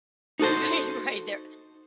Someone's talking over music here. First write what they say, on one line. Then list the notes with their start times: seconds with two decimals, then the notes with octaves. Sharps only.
Right, right. Their
0.39 D#4 F#4 A4 C5